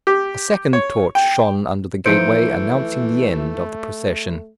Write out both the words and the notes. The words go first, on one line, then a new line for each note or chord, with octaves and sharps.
A second torch shone under the gateway, announcing the end of the procession.
G4
C#5
G5
E3 F3 A3 D#4 C5 G6 C#7 D7